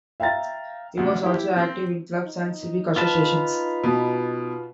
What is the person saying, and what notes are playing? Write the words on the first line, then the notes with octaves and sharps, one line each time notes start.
He was also active in clubs and civic associations.
E5 F5 G5 A#5 A6
D2 C3
E4 G4
C4
D#4
F4 B4 A5
B2